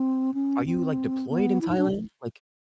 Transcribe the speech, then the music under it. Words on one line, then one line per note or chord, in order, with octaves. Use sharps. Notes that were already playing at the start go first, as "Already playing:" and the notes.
Are you, like, deployed in Thailand? Like
Already playing: C4
C#4
C4
B3
E4
D#4
D4